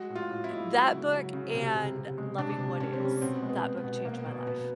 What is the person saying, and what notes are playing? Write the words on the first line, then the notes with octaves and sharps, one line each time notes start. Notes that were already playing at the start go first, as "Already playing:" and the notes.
that book and Loving What Is that book changed my life.
Already playing: G#3 F#4
A2
F4
A2
E4
G#3
F#3
C#3
F#3
C#3
C3
C3
C3
G#3
C3 D4
C3
C3 C#4
C4
G3
C#4
B2 C4
G#3
B3
B2
B3
B2
B2 A#3
B2 B3
B2 B3